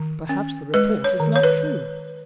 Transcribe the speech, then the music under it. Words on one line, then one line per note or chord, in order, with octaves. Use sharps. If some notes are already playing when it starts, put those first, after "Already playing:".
Perhaps the report is not true?
Already playing: D#3
C#4
G#3 B4
C#5
D#3
C#5
B4